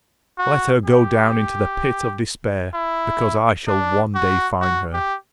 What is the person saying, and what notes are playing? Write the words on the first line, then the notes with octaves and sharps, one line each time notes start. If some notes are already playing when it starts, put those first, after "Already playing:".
"Let her go down into the pit of despair, because I shall one day find her."
F#4
G4
E4
D4
F#4
F#4
G4